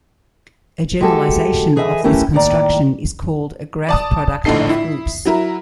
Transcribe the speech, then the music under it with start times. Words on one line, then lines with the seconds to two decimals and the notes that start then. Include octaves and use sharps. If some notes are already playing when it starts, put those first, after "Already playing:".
A generalization of this construction is called a graph product of groups.
1.01 G#3 F#4 G4 A4
1.76 E3 G#4 D#5 E5 G5 G#5
2.04 E3 A3 C#4 E4 G4 A#4
2.33 D#2 A2 D#3 D5 A#5
3.89 D5 A5 D#6
4.45 A#1 A2 D3 D#4 A4 C7
4.69 E4
5.25 F#3 E4 A#4